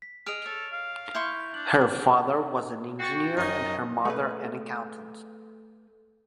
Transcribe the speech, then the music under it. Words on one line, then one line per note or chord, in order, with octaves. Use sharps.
Her father was an engineer and her mother an accountant.
B6
G#4 D#5 F6 D7 F7
A4 C#5
F5
E4 C6 C#6 G6
D4 G6 F#7
F#4 G5 C#6 A6 C7
F#2 D#4 D#5 G#5
A3 G#4 B4